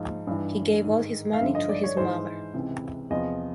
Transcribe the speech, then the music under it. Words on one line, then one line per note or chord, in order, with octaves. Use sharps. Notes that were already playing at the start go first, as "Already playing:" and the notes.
He gave all his money to his mother.
Already playing: G#2 F3
G2 E3
G#2 D#3
F5
G2 D3 F3 E5
D#5
D5
C#5
G#2 E3 C5
C#2 C3 E3
E2 C3 F3 D#5